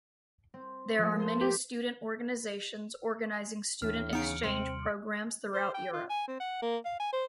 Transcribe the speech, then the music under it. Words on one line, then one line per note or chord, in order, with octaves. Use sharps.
There are many student organisations organizing student exchange programmes throughout Europe.
C4
F3 A3 A#3
A5 C6 G6
G4
D#2 A2 E3 D4 F6
C#3 B3 D#4 C#7 D7
D#2 C3 G3 C4 C6
C5
G5
F4
G#5
C4
F#5
A#3
F5
G#5
C5